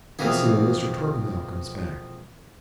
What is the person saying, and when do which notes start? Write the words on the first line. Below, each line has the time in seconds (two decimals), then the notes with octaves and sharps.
You'll see when Mr. Torpenhow comes back.'
0.19 F2 B2 E3 A#3 C4 G#4